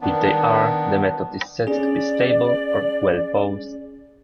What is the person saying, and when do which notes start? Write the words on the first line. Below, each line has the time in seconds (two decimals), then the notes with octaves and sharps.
If they are, the method is said to be "stable" or "well-posed".
0.01 D#3 B3 D4
1.67 C#4 G#4 D5